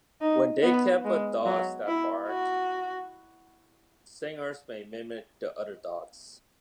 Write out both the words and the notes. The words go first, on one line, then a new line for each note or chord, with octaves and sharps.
When they are kept with dogs that bark, singers may mimic the other dogs.
D#4
B3
G#3
F#3
E4
F#4